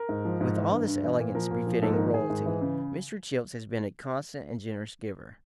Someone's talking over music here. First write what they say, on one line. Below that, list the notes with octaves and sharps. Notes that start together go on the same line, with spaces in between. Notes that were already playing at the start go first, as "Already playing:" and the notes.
With all this elegance, befitting royalty, Mr. Childs has been a constant and generous giver.
Already playing: A#4
G#2
F3
G#2
E3
G2
G2
E3
A#2
F3 A#4
A#2
F3
G#2 A4
A#4
D#3
D#3 G#4
G#2
E3
C#3